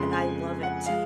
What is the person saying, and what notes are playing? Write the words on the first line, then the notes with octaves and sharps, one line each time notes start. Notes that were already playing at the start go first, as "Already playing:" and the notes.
And I love it.
Already playing: F2 C#3 G#3 C6
G#5
F#5
F3 G#3 F5